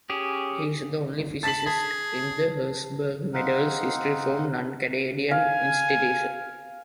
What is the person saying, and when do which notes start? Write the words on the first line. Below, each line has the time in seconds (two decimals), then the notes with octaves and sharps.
He is the only physicist in the Herzberg Medal's history from a non-Canadian institution.
0.10 C#4 G4 G#4
1.43 A5 A6 B6 F#7
1.66 G#4 A5
3.34 C4 D#4 F5 F#5
5.31 F5 G#5